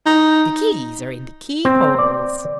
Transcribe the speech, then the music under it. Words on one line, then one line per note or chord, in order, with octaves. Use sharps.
The keys are in the keyholes.
D#4
C4
D5